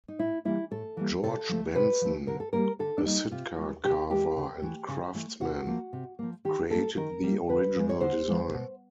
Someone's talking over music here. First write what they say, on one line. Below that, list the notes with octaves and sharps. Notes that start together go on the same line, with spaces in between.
George Benson, a Sitka carver and craftsman, created the original design.
D#4
A2 E4
E3 G3 A#3 E4
A2 A4
E3 G3 A#3
C3 A4
F3 A3
C3 B4
F3 A3
D3 A#4
A4
G3 A#3 A#4
D3 A4
D4
G3 A#3 D#4
C3 F4
E3 G#3
C3 G4
E3 G#3 G4
C#3
E3 A3
C#3
E3 A3
C3 F#4
F3 A#3
C3
F3 A#3
D#3 G4
G3 A#3 A4
D#3 A#4
G3 A#3
D3 B4
F3 G#3
C#5
D3 C5
F3 G#3
B2